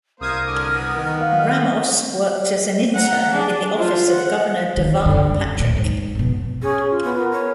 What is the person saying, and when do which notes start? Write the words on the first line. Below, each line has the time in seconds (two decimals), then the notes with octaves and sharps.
Ramos worked as an intern in the office of Governor Deval Patrick.
0.20 C2 A#3 A#4 C5 D#6 F6 G#6
0.47 D3 D6
0.74 B3
0.96 D#3
1.21 F5
2.94 F#5 A#5
3.32 D4 G#4
3.77 F4 C5
4.11 F#5
4.77 D#2 D#3
5.06 F#2 D3
5.26 F#2
5.57 D2 A#2
5.77 G#2
6.15 F2 B2
6.62 C#4 G#4
6.91 F4
7.04 B3
7.18 A#4
7.32 C#5